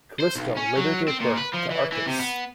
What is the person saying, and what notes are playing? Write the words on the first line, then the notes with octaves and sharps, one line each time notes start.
Callisto later gave birth to Arcas.
C5
B1
C#4
F#3
C4
A#2
B4
F3
E3
E3
C3
B3